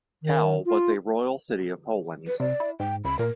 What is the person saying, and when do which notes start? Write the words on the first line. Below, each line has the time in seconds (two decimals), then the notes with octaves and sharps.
Kowel was a royal city of Poland.
0.22 D#3
0.66 F4
2.27 B4
2.40 C3 D5
2.60 E4
2.80 G#2 G5
3.05 C#2 B5
3.19 A#2 A#4